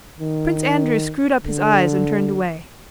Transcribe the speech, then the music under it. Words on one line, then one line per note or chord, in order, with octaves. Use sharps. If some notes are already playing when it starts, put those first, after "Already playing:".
Prince Andrew screwed up his eyes and turned away.
D#3
D3